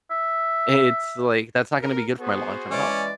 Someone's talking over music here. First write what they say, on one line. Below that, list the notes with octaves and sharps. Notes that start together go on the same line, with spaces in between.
i It's like, that's not gonna be good for my long-term health.
E5
A#4
B3 F#4 G#4 C5
E3 G#3 C#4 D5